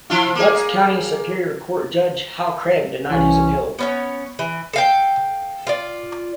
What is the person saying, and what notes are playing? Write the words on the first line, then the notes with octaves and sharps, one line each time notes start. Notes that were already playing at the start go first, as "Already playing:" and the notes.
Butts County Superior Court judge Hal Craig denied his appeal.
F3 E4 F4
A#3 G#4
C2 E3 C#4
B3 C#4 C#5
E3
A4 F5 G5
F4 D5